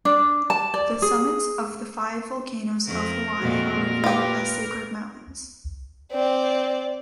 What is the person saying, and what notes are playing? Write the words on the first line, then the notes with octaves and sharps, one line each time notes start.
The summits of the five volcanoes of Hawaii are revered as sacred mountains.
D4
A5
D5
G#4
F2 A#4
F2 A#2 G#3 C4 F#4
A#2
F4 G4 B4
C4 D5